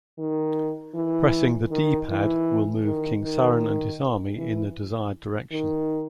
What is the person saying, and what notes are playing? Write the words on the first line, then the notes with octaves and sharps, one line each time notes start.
Pressing the D-Pad will move King Suren and his army in the desired direction.
D#3
E3
D#3
E3
D#3
D#3
E3
D#3